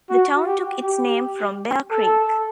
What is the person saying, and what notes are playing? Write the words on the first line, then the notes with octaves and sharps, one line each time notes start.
The town took its name from Bear Creek.
F#4
G4
G4
A4